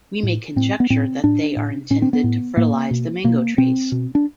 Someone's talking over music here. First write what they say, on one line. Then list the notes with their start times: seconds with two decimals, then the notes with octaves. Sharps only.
We may conjecture that they are intended to fertilize the mango trees.
0.23 A2
0.56 A2 C4
0.80 B3
0.90 A2 C4
1.24 A2 D4
1.56 A2
1.90 A2 C#4
2.02 C4
2.13 B3
2.24 A2
2.57 A2 A#3
2.91 B2
3.24 B2 A#3
3.58 B2 C4
3.92 B2
4.15 D4